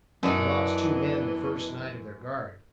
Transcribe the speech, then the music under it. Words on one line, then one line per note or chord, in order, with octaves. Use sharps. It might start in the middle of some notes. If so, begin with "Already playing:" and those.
They lost two men the first night of their guard.
F#2 E3 B3 D4 D#4